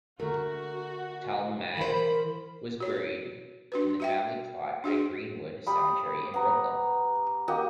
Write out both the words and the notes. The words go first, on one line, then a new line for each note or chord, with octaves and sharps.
Talmage was buried in the family plot at Green-Wood Cemetery in Brooklyn.
D3 A3 F#4 A#4
E3 A#4 C5 B5
F#4 C#5
D4 F#4 B4
F#4 E5 G5
D4 F#4 G#4
G3 B5 D#6
B3 A#5
A#3 F#4 G4 D#5